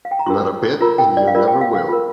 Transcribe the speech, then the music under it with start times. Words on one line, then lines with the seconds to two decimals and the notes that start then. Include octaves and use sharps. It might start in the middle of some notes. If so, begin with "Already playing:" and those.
Not a bit, and you never will.
0.05 F5
0.11 G5
0.19 A#5
0.26 F4 A#4 C6
0.81 F4 A#4 A#5
0.98 G5
1.17 D5
1.27 F5
1.35 F4 A#4 D5
1.48 G5
1.61 F5
1.75 F5
1.88 F4 A#4